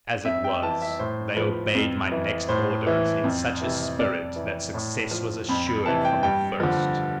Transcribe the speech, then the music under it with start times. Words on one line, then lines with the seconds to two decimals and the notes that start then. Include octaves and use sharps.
As it was, they obeyed my next orders in such a spirit that success was assured from the first.
0.25 F2 E5
0.44 G5
0.63 E3 A5
0.82 E5
0.99 A2 C5
1.37 F3 B4
1.75 F2
2.12 E3
2.49 A2 C5
2.87 E3
3.24 F2
3.62 C3 E3
3.99 F2 D5
4.36 E3
4.74 A2
5.11 F3
5.49 F2 B5
5.67 B5
5.86 C3 E3 A5
6.05 G5
6.23 G2 G5
6.60 D3 F3